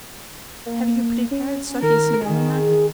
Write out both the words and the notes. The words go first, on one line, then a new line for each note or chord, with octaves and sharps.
"Have you prepared Sofya Semyonovna?"
A#3
C#4
D#3 A#4
D#3 G#4